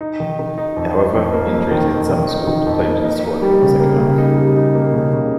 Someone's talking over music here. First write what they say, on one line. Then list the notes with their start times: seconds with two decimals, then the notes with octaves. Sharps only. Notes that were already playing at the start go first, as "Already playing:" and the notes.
However, injuries and summer school depleted the squad in the second half.
0.01 D#4
0.20 D#3
0.39 D#3
0.58 D#4
0.77 F2
0.96 D#4
1.15 F2
1.33 A#3
1.53 F2
1.71 D#3
1.90 F2
2.09 D#3
2.29 D#4
2.47 D#3
2.66 F2
2.85 A#3
3.04 D#4
3.23 D#4
3.42 G3
3.62 C#3
3.80 A#3
3.99 C#3
4.18 D#4
4.37 G3
4.56 D#4
4.75 A#3
4.94 C#3
5.13 C#3